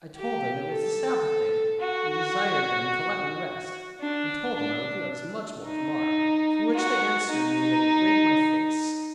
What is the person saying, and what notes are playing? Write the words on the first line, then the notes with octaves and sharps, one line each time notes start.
I told them it was the Sabbath day, and desired them to let me rest, and told them I would do as much more tomorrow; to which they answered me they would break my face.
G4
A4
F#4
D4
D4
D#4
F#4
D#4